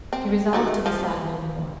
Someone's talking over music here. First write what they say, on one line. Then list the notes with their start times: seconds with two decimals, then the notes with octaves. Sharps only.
She resolved to be sad no more.
0.13 C4
0.53 D#3 A3 F#4
0.86 F3